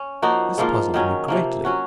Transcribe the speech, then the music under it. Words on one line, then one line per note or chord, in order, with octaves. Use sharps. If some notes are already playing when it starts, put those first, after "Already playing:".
This puzzled me greatly.
Already playing: C#4
F3 A#3 D#4 F#4
G#2 F3 A#3 F4
D#3 F#3 C#4
C3 F3 A#3
F#3 C#4 F#4